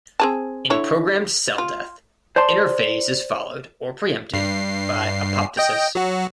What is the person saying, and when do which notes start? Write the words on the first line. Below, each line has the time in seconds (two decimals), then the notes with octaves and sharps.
In programmed cell death, interphase is followed or preempted by apoptosis.
0.20 C4 G#4 A5
0.70 D3 E4 C#5
1.58 F4
2.36 C5 D5 A5 C6
4.33 G2 C7
5.57 D#5 G5
5.95 F#3 F#4